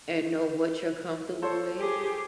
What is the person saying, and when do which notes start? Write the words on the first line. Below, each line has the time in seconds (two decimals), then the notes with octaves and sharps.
and know what you're comfortable with,
1.42 A4 C5 C#5
1.77 G4 G#4